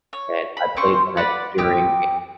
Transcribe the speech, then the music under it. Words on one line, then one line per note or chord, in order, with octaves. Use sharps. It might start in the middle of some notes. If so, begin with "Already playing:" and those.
and I played that during a
C#5
B5
C4 C#4 C5 C#6
B4 D5 F#5 B5
C4 G4 D#6